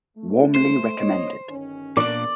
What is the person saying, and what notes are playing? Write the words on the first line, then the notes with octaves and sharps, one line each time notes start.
Warmly recommended.
A3
C5
A#3 C#5 D#5
G1 D#3 C#4
A#2 D4 D5